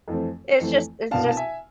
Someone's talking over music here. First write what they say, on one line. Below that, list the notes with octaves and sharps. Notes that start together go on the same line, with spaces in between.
it's just it's just
F2 E3 A3 C4
F2 E3 A3 C4
C2 B2 B3 D4 F5 A5
A5
E5 G#5